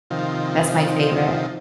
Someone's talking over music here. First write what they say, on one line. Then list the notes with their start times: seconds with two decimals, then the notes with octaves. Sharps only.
That's my favorite.
0.11 C3 D#3 F3